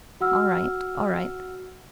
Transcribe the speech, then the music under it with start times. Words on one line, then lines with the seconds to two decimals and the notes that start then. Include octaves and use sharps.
"All right, all right...."
0.21 F#4 F#5 E6 F6